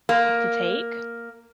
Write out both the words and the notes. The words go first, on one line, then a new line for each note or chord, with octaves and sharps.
to take.
A#3